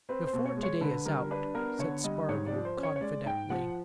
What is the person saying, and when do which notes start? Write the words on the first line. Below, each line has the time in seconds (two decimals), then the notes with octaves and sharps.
"Before today is out," said Spargo confidently.
0.09 C4 B4
0.27 C5
0.33 B2
0.46 C#5
0.57 G#3
0.63 C#5
0.81 D3 B4
1.05 G3 A#4
1.31 D4 B4
1.54 B3 A#4
1.79 D3 C#5
2.04 G3 D#5
2.29 G#2 C#5
2.46 D5
2.53 F3
2.65 C5
2.77 C#4
2.83 C#5
2.96 C#5
3.01 G#3 D5
3.26 G#2 G5
3.50 F3 F#5